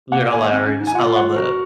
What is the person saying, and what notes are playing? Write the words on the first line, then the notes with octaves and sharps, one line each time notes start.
You're hilarious. I love that.
A#3 F#5
G#5
C4
C#4
D#4
G#5
F4 F#5
F#5
F#4 A#4